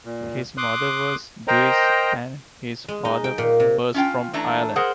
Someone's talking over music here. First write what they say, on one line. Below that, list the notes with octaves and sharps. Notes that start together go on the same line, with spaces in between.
His mother was Jewish and his father was from Ireland.
A#2
C6 D6 D#6 F#6
A#4 C5 D#5 G5 A#5
G#3
D#4
G5
A#2
C3
C#4 F4 G5
E3 A3 D4 A#5
G#4 A#4 C5 F#5